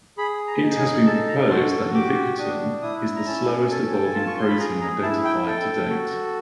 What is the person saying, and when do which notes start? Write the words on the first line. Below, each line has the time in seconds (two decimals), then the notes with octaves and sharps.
It has been proposed that ubiquitin is the slowest-evolving protein identified to date.
0.18 G#4 B5
0.47 A#5
0.63 D#4
0.77 G#5
1.06 A4 A5
1.28 A#5
1.50 F#4 C6
1.72 C#6
1.94 G4 D6
2.38 D4 D#6
2.82 E4 D#6
3.16 A#5
3.26 C#4 A5
3.70 A4 G#5
3.92 G5
4.04 G#5
4.14 F4 A5
4.27 C#6
4.37 C6
4.48 B5
4.58 G#4 A#5
4.81 A#5
5.02 E4 A5
5.24 G5
5.46 A4 G5
5.90 F#4